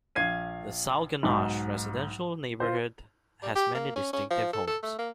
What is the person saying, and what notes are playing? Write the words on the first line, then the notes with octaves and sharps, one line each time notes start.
The Sauganash residential neighborhood has many distinctive homes.
A#1 F5 G#6 C7 D#7
B1 G#2
F4 C5
G3
G4
A#3
C#4
C#4
F3
A4
A4
A3
A#3